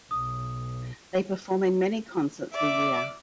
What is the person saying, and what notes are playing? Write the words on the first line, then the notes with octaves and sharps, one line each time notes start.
They perform in many concerts a year.
B1 D#6
D5 E5 D6